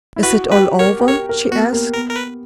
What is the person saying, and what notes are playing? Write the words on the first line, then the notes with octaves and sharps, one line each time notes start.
"Is it all over?" she asked.
E4
F#4 B4
G4 B4
A#4 C#5
G4
A#4 C#5
A#4
B3 F#4
A#3
B3 A#4
A#4
B4